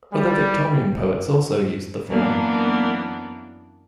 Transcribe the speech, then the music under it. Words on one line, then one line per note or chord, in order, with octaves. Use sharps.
Other Victorian poets also used the form.
G3
F#2 E3 A#3 B3 D4